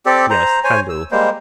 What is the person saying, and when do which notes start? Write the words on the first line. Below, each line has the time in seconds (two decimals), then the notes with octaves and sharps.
Yes. Handel.
0.06 C4 G4 A4 D5
0.30 C5 A#5
0.64 C5 C#5 G#5
0.90 E6
1.11 G3 G#3 A#3 C5